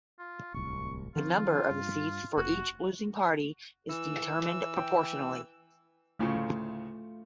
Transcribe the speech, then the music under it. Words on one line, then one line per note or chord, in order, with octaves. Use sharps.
The number of the seats for each losing party is determined proportionally.
F4
D1 C2 C#6
D#3 F3 C4 F4
G2
F1 F#4
E3 E4 E6
G5
D2 A2 C#3 A3 F4